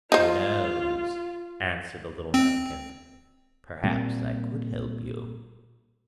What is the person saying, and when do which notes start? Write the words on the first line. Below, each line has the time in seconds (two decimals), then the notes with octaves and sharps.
'Who knows,' answered the little Mannikin. 'Perhaps I could help you.'
0.12 D#4 F4 C5
2.34 C4
3.83 A#2 G3 A#3 C4